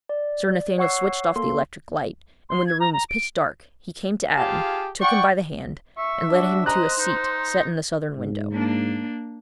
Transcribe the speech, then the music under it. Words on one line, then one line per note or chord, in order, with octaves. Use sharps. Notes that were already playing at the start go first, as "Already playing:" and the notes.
Sir Nathaniel switched off the electric light, and when the room was pitch dark, he came to Adam, took him by the hand, and led him to a seat set in the southern window.
D5
C#5 F#5 C#6 E6 C7
A#3 A4 C6
C6
G#6
A#5
A#5
D7
F4 G4 G#4 F5 G#5 A5
D5 F#5 G5 C#6
E5 C#6
D4 F#4
C5 D#5 A#5 F#6
D#4
G#2
A#3 D4